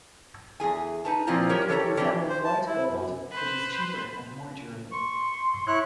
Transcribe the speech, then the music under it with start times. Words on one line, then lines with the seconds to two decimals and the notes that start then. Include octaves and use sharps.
It resembles white gold, but is cheaper and more durable.
0.60 E2 G#4 G#5
1.05 D#4 B4 A5
1.27 A#2 E3 F3 C4 F4 A#5
1.49 F#3 C#4 G4 A#4 C#5
1.68 E3 G4 A4 C#5 A5 A#5
1.97 A2 E3 C4 D4 G4
2.29 C5
2.44 A5
2.66 E4
2.90 F#2
3.31 B4 C5
4.91 C6 C#6
5.67 E4 C#5 F#6